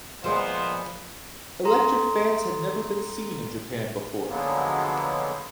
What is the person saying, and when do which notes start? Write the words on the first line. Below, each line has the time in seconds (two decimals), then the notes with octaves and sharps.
Electric fans had never been seen in Japan before.
0.24 A#2 F3 G#3 B3 C5
1.65 A4 A#5 C6
4.29 D3 F3 F#3 G#3 A#3 B3